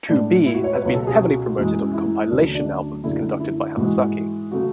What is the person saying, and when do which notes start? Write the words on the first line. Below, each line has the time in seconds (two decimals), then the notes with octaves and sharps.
"To Be" has been heavily promoted on compilation albums conducted by Hamasaki.
0.09 A2 G#3 D4
0.46 E4
0.54 F#4
0.64 C#5
0.73 B4
0.82 C#2 B2 F#3 C#5
0.95 A4
1.07 G#4
1.19 F#4
1.57 F#2 E3 G#3
1.93 E4
2.30 D2 D3 F#3 A3 D4
2.42 C#4
2.55 D4
2.66 D4
3.03 F#2 D3 F#3 A3 E4
3.40 E4
3.77 G#2 E3 G#3 F#4
4.52 C#3 F#3 A3 F#4